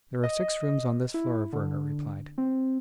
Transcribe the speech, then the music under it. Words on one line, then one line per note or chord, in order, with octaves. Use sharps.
"There are six rooms on this floor," Werner replied.
D#5
E4
D3
C4